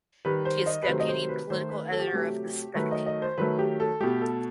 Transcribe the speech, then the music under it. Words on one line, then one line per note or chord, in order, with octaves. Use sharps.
She is deputy political editor of "The Spectator".
D#3 G3 B4
C5
D#5
B4
C3 D#3 F#3 A3 C5
D#5
C5
B4
D#3 A3 C5
B4
A4
G4
F#4
C3 F#3 A3 G4
D#3 F#3 A3 B4
D#5
D#5
C5
D#3 F#3 A3 B4
G4
A4
B2 A3 G4
A4